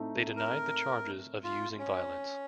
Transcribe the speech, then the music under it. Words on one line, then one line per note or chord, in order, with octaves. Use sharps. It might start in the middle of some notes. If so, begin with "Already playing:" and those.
They denied the charges of using violence.
Already playing: A2 A3 C4 D#4
A#4
F4
C#4